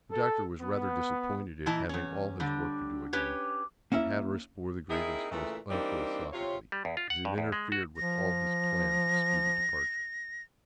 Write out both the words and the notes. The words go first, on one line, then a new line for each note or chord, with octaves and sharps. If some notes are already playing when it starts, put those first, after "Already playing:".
The Doctor was rather disappointed at having all his work to do again, but Hatteras bore the grievance most unphilosophically, as it interfered with all his plans of speedy departure.
A4
B3
A#2 E3 E4 D#5 A5
E2 C#4
D3 G3
C#4 G4 B4 C#5
A#3 C#4 E4 E5
A#3 C4 D#4 E4 G#4
A#2 C#3 E3 A3
E3 G3 A#3 C4 D4 D#4
C3 F4 C#5
G3
E2
F4
F#5
G2
E2
G#3
F#4
F3 A#6